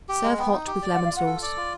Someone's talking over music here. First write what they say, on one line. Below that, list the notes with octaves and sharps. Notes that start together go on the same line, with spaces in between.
Serve hot with lemon sauce.
G4
G#3
B3 G5
D#4
G4
D5
F#5
F4
F5
F4 F#5
A4
D5
F4